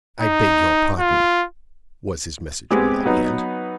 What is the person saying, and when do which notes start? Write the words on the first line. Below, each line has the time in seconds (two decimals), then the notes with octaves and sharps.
"I beg your pardon," was his message in long-hand.
0.21 D#4
0.99 F4
2.71 G#3 B3 C4 G4 G#4
3.05 F#3 B3 D#4